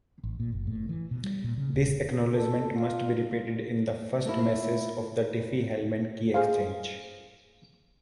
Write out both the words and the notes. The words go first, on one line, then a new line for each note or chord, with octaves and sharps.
This acknowledgement must be repeated in the first message of the Diffie-Hellman key exchange.
A1
A#2
F#1
A2
E3
B2
G3
A#2
C#3
D#1
A4
F4
A3 A#3 E4
G#4 C5 F5